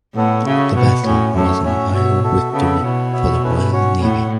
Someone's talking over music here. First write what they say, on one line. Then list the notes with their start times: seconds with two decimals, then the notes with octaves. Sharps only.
The battle was a major victory for the Royal Navy.
0.15 A2 B3 A4 C#5 F#5
0.45 C#3 A3 F#4 C#5 E5
0.75 B2 F#4 B4 F#5
1.04 A2 C#4 F#4 C#5
1.34 F#2 A3 F#4 A4 C#5
1.64 A2 C#4 F#4 C#5 E5
1.93 B2 F#4 C#5 E5
2.23 F#4 A4 E5
2.53 C#3 B3 A4 E5
2.82 B2 E4 C#5 F#5
3.12 B3 F#4 C#5 E5
3.42 A3 C#4 E4 B4
3.72 C#4 F#4 C#5 F#5
4.01 A2 E4 C#5 F#5